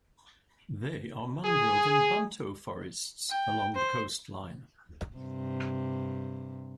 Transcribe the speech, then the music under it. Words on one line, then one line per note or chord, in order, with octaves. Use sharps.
They are mangrove and banto forests along the coastline.
G#4
G5
C5
G2 C3